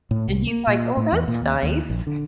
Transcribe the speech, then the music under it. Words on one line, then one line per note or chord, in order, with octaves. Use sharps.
and he's like, "Oh, that's nice."
A2
C2
A#3
A#2
A2
E2
A#2
D#2
D#2
A#1
D3